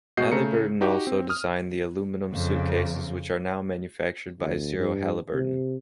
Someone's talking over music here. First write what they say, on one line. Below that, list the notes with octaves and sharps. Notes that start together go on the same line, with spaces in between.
Halliburton also designed the aluminum suitcases which are now manufactured by Zero Halliburton.
B2 G#3 F#4 D#5 G6 C7
C#3 A3 A#5 C#7
D#4 F#4 G4
C4
D#6 F6
F2 C#3
D2
G2
C3